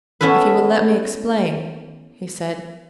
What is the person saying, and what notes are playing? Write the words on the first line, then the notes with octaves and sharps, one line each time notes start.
"If you will let me explain," he said.
B3 C#4 E4 A4 B4